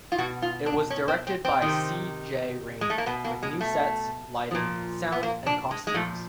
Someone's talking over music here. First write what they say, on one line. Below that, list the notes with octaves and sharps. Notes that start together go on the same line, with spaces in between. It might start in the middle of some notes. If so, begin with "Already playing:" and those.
It was directed by C. Jay Ranger, with new sets, lighting, sound and costumes.
F4
B2 F#4
F4
D4
C#4
C4
C4
C4
C3 D#3
G#3
A3
A#3
B2 B3
A#3
G#3
A3
A#2 F3
B3
A#3
D4
G#3
G#3
A#2 F3 A3